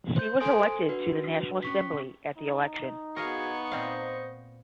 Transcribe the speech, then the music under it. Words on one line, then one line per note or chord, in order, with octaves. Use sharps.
She was elected to the National Assembly at the election.
C5 G6
A4 C5 G#5 C6 D#6 D7
D4 F#4 B4
C#4 C#6 B6
D#4
B3 F#4 G#4 A#4 D#5 F5 G#5 C#6
A#2 C4 C5 D#5 F5